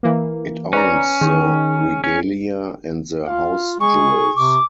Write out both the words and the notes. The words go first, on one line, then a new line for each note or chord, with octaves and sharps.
It owns the regalia and the House-jewels.
E3 A#3
C#4 B4 D5 A#5
D#3 G#4
C#4
F4 F5
G#3 G#4 C#6
C3 D6